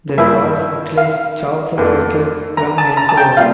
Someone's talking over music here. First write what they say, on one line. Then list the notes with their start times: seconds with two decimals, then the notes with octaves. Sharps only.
The cars utilized chopper circuits from Melco.
0.18 G2 F3 A#3 E4 E5
0.97 F5
1.78 F2 D3 A3
2.57 A#5
2.78 A5
2.97 A#5
3.09 A5
3.17 G5
3.37 A#2 G3 C4 F4 F5